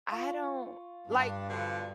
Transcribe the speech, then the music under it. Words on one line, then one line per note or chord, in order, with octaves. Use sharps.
I don't like,
F4 C#6
G2 D4
B2 D3 F3